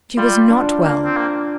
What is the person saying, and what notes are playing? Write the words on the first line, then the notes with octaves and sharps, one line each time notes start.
She was not well.
G3 F4
D4
A#3
C4
A#3